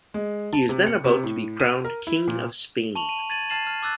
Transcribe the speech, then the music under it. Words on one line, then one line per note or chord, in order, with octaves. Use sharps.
He is then about to be crowned King of Spain.
G#3
A5
C3
C#7
C3
A2
D#7
A#4
E4
A#2
A5 C#6 F7 F#7
D#7
G#6 A6 D#7 F#7
A5 F6 A6 C7 E7 F#7
F6
D6 E6 F#6 A6